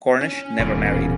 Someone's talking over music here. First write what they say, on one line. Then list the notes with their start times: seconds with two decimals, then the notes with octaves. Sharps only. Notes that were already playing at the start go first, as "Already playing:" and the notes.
Cornish never married.
0.21 C#4
0.59 E1 A#2 C#3